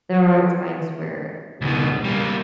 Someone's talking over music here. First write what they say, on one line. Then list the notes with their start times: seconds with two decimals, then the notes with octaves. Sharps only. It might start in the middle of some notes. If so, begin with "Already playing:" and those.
there are times where we
1.61 C#2 B2
2.04 G3 A#3